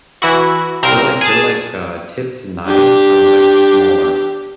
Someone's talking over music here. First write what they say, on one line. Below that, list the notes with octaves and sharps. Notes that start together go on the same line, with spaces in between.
they're, like they're, like, uh, tipped knives that are, like, smaller.
E3 E4 F#4
C2 C4 A#4
G#4 A5
D4 G4